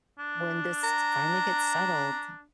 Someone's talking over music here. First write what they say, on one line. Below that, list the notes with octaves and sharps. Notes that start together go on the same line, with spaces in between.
when this finally gets settled,
D4
A#5